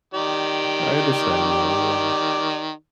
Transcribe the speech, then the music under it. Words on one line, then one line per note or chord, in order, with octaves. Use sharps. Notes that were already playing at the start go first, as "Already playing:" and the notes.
I understand, though, yeah.
D#3 G4 D5